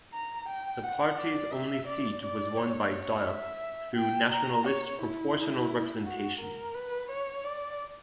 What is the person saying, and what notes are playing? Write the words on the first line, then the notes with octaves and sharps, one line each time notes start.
The party's only seat was won by Diop through national list proportional representation.
A#5
G5
F#5
D5
E5
D5
D5
C#5
C#5
E5
G5
A#5
C#5
E4
F#4
A#4
B4
C#5
D5